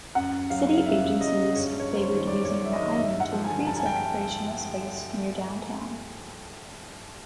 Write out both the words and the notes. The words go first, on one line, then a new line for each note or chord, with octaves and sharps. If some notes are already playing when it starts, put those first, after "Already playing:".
City agencies favored using the island to increase recreational space near Downtown.
F#2 F#5
F#2
F#3 F5
C#3
F5
F#2 E5
F#2
F#3 D#5
C#3
G2 C#5
G2
C#5
F#3 C5
C#5
D#3
G2 D5
G2 C#5
D5
F#3 E5
D#5
D#3
D#5
G2 E5
G2
F#5
F3
G#5
D3
G2 A5
G#5
G5